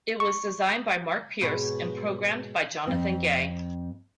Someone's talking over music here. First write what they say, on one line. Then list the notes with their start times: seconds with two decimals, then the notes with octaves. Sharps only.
It was designed by Mark Pierce and programmed by Jonathan Gay.
0.20 C#6
1.41 G#2 B2 B3 C5 C#5 A5
2.87 F2 C4